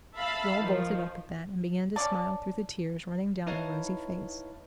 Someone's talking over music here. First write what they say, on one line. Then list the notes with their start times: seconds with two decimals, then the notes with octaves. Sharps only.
Joel bolted up at that, and began to smile through the tears running down the rosy face.
0.17 E5 F5 A5 B5
0.57 D#3 F3
1.96 C#4 D4 D5 A5
3.47 D#4 E4 B4 C#5 F5 A5